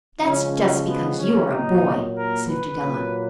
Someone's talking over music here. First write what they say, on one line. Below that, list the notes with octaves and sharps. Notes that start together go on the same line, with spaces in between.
"That's just because you are a boy," sniffed Adela.
C#3 F3 G#3 C#4
C#4
B3
C#4
A#2 F#3 A#3 D#4
A#4
B4
A#2 F#3 A#3